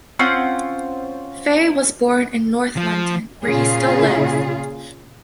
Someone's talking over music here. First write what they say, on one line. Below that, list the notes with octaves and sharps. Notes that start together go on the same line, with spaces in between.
Fay was born in north London, where he still lives.
C4 C#4 F4 F#5
F3
A#2 C#3 F4 G#4